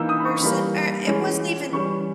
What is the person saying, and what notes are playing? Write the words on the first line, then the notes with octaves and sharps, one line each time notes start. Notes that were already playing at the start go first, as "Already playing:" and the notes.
person, or it wasn't even
Already playing: E3 A#3 D#4 E6 G6
D#6
B5
C#6
C#6
E3 G3 A#3 B5
E3 G#3 C#4
E3 G3 C#4 C#6